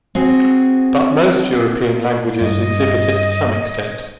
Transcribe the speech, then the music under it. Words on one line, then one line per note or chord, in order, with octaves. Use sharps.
But most European languages exhibit it to some extent.
C4 F#4 G#4
G2 D#5